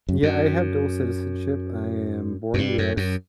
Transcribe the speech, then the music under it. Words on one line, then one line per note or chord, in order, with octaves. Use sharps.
Yeah, I have dual citizenship. I am born U.S,
F#2
F#2
F#2
G2
F#2
F#2